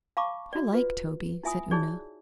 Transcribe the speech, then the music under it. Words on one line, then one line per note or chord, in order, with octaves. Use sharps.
'I like Toby,' said Una.
F5 A5 B5 C#6 D6
F#4 D5
F4 B4
E4 F4 E5 G#5 B5 D#6
D#4 F#4 G#4 C#5 D5